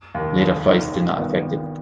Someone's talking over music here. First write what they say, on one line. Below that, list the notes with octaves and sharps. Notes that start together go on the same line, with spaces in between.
Later flights did not affect it.
D#2 D#3
F1
D#2 D#3
G#1
G2 D#3 B3 F4
G#1